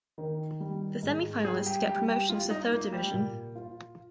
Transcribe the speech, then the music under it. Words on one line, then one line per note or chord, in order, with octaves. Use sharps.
The semifinalists get promotions to third division.
D#3
G3
G#2
G3 G#4
G4
G3 G4
G4
G3 F4
D#4
A#3 F4
G3
A#2
F4